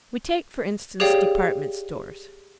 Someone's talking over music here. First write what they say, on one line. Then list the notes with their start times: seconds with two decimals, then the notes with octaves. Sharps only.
We take, for instance, department stores.
1.00 G4 G#4 C#5 D5 F5 G5